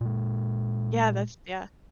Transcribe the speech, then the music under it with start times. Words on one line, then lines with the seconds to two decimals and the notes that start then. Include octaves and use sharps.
Yeah, that's yeah.
0.01 A#2 G#3